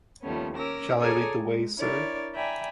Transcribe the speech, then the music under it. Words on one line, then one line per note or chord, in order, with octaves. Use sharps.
Shall I lead the way, sir?
D#2 F3 G3 A3 B3 C#4
C#4 A#4 D6 E6 A#6
G#4 A4 C#5 D5 G#5 A#5
G#3
D4 E4 A#4 C#5 D5
D5 E5 G5 G#5 A#5 B5